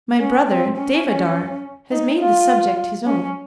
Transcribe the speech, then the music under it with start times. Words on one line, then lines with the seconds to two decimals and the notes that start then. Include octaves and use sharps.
My brother, Devadhar, has made the subject his own.
0.20 C#4
0.48 C4
0.77 C#4
1.92 D#4
2.20 F4
3.06 C#4